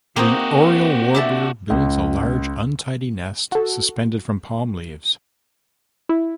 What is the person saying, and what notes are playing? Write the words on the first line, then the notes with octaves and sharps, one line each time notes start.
The oriole warbler builds a large untidy nest suspended from palm leaves.
A#3 C4 D#4 F#4 G4
D4 E5 A5
C#2
F#4 A4
E4